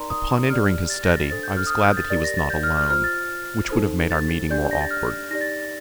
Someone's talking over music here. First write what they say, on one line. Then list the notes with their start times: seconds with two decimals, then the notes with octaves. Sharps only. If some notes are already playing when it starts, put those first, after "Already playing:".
Upon entering his study, I was glad that he was not alone, which would have made our meeting more awkward.
Already playing: D#4 A#4 D5 A#5 C6
0.10 D#6
0.50 G4 D5 F6
0.90 A6
1.03 A#6
1.16 A6
1.30 D4 A4 C5 A6
1.43 G6
1.57 F6
1.66 D#6
1.70 F6
1.84 G6
1.97 A6
2.10 G4 A#4 D5 A6
2.24 A#6
2.37 A6
2.50 G6
2.63 F6
2.77 F6
2.90 F4 C5 F6
3.04 A6
3.70 D#4 A4 C5
4.11 A6
4.50 D4 G4 D5 G6
4.71 A#6
4.81 A6
4.91 F6
5.31 D#4 G4 D5 A#6
5.41 A6
5.61 A6